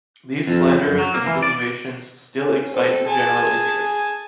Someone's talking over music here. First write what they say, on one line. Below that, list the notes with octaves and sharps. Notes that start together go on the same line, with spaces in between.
These slanderous insinuations still excite the general interest.
F2
F#2
F#3
A#3
E3
D5
C#4
C4 A4
G#4 G#5 A5